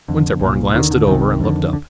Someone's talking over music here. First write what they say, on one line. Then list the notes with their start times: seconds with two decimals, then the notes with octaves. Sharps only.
Winterborne glanced it over and looked up.
0.08 F2 D3
0.41 C2 A#2
0.74 D#2 D3 D#3
0.91 D3
1.07 C2 C3 D#3
1.41 F2 D3
1.73 D3